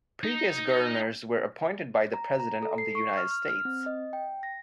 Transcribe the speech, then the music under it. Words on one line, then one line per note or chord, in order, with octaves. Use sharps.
Previous governors were appointed by the President of the United States.
D#4
A#5
A#5
A4
C7
C#6
F6
F6
F6
C4
D#5
G5
A#6